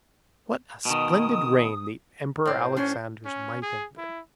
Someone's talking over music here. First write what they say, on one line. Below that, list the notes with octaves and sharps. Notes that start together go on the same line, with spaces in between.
"What a splendid reign the Emperor Alexander's might have been!"
B2 D#3 D#6
A2 C4
C#4 D4 C5
C#4
G#4
E4